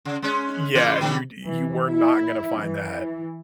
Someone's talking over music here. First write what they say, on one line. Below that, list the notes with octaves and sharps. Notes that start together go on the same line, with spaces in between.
yeah, you you were not gonna find that
C#3
G#3 C#4
C#3 E3 F4
D3 E3 F#3
E3
E4
E3